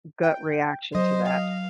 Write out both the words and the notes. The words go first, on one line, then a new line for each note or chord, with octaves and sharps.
gut reaction to that?
G5
F#3 C5 D#5
F5